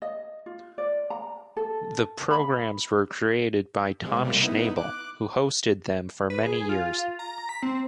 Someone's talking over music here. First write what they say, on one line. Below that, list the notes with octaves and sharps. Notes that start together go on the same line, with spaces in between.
The programs were created by Tom Schnabel, who hosted them for many years.
D#5
F4
D5
A#5
A4
B5
C3 G#3
C3 G3 A#3
B3 D#4 E4
D6 F#6
B4
G#4
F4
A#5
B6
C4